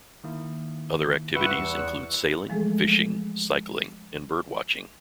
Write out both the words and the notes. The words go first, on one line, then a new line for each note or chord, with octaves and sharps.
Other activities include sailing, fishing, cycling and bird watching.
D#3 A#3 E4
G2 E4 G4 B4 F#5 C#6 E6
E2
E3 F3 G#3 A3 G#4 A4